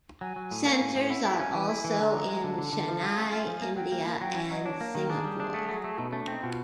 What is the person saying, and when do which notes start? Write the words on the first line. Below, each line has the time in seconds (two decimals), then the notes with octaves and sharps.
Centres are also in Chennai, India and Singapore.
0.21 F#3 G#5
0.36 F#3
0.51 A2
0.66 A#3
0.81 A2
0.95 A2
1.10 E4 F#5
1.25 E4 G5
1.39 C#4 G#5
1.54 E3
1.69 E4
1.84 E3
1.99 D3 A#5
2.13 F3
2.28 G#3
2.43 D3 A5
2.58 D3
2.73 D3
2.88 F3
3.03 F4
3.17 C#4
3.32 F4 G#5
3.47 F3
3.62 A#3
3.76 F#3 G5
3.92 A#3
4.06 A#3
4.21 F#3 G5
4.36 C#4
4.51 F#3 D#5
4.65 D4 C#5
4.81 A#3
4.95 D#3 A#4
5.10 D4 G#4
5.24 G3
5.40 D4
5.54 A3
5.69 F#3
5.84 A3
5.98 B2 D#4
6.10 A3 C#4
6.20 D4
6.27 C4 D#4
6.43 B2 F4